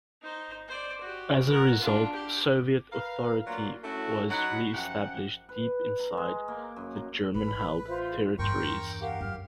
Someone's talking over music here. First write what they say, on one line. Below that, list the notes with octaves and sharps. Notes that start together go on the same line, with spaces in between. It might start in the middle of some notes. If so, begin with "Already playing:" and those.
As a result, Soviet authority was re-established deep inside the German-held territories.
D#4 C5
C5 D5
F#4 G4
A#4 F#5
D4 F4
G4
A#4 B4 F5
F#3 A#3 D4 F4
A3 C#4 E4 F#4
F#3 D#4 F#4 F#5 B5
F#2 F3 G4 F#5
B4
A#5
G#3
A#3
F#2
A#5
A1 B4 B5
F4 C5 E5
E2 G2 A#4 G5 C6 C#6
G4 A#4 F5 F#5
F#2 F6